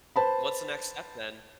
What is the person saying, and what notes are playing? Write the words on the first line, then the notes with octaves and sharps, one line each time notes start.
what's the next step then
B4 C5 A5 B5